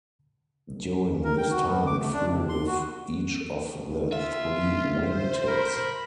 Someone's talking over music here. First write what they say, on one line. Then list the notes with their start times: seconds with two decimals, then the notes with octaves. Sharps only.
During this time it flew with each of the three wing tips.
1.24 A#4
1.38 G5
1.50 F#4
1.66 B3
1.87 D6
2.01 A3
2.13 D4
2.31 C3
2.49 C6
2.67 F#4
4.12 F4 E5
5.00 C5
5.48 A#4 B5